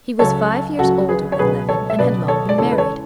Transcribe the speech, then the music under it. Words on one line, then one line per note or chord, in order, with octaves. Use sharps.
He was five years older than Levin, and had long been married.
C#2 C#3 F#3 A4 C#5
C#2 C#3 F#3 F#4 A4
G#4 B4
C#5
C#2 B2 F#3 G#4 B4
A4 C#5
E5
C#2 B2 F#3 B4 D5
A4 C#5
D5
E2 C#3 G#3 A4 C#5
B4
A4 C#5